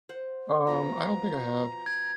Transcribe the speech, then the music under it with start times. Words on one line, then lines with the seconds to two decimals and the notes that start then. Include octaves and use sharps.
Um, I don't think I have.
0.09 C5 F#5
0.67 B2 F3 B3 A#5
1.86 G#6